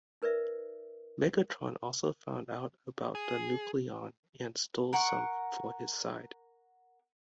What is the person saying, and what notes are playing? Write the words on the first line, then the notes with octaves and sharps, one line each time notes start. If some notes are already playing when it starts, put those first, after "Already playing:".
Megatron also found out about the Nucleon and stole some for his side.
D#4 A#4 B4 D5 E5
G#4
A#4 F#5 C#6